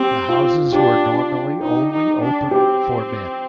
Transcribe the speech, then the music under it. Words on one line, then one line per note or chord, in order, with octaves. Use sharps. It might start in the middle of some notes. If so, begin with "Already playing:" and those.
The houses were normally only open for men.
Already playing: C4 G4
F4
D4 G4
D#4
D#4
D4
C4 G4